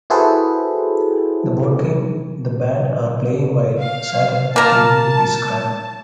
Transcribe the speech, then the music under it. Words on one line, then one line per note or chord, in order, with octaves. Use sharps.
The board game the band are playing whilst sat at the table is Scrabble.
E4 F#4 G#4 A4 B4 C5
F5
A#3 A#4 A5